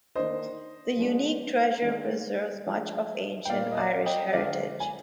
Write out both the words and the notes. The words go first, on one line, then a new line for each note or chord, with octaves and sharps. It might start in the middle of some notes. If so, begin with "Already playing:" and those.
The unique treasure preserves much of ancient Irish heritage.
D#3 A#3 D4 C5 D#5
F3 G#3 D4
D#3 G#3 D4
F3 G#3 D4
G5
A#2 G3 A#3 D5 F5
D#5
D5 F5
D#5 G5
D3 F3 G#3 D4 D5 F5
G#5